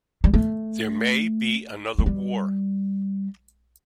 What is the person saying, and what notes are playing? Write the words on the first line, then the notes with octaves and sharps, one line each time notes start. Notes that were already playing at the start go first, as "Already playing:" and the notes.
There may be another war.
G3
A3
A3
G3